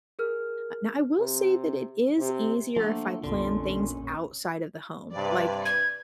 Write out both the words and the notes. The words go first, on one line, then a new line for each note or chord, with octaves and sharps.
uh now I will say that it is easier if I plan things outside of the home, like
G#4 A#4 F6
C3
C3
F3 A3 A#3 D4 F#5
A#1 F2 D3 B3 C#4 F4 C6
G2 C3 B4 D5
G#6